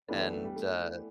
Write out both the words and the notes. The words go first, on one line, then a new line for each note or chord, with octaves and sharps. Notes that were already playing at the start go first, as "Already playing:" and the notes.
And, uh
E3 A3 B3 D4 G4 B4
A3
A3
G3
A3